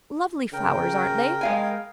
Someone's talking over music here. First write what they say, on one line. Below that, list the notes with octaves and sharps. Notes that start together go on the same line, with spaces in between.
Lovely flowers, aren't they?
C#3 A#4 G5
G#3 F5 G#5